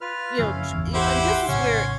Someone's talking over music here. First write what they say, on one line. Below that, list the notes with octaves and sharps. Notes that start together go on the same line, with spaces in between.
you know, t and this is where,
F4 B4 F6
F#2 C#3 F3 C#4 E4 F5
G#1 E2 E3
E4 G4 C5 F#5 C6
A#1 A2 C#3 C#4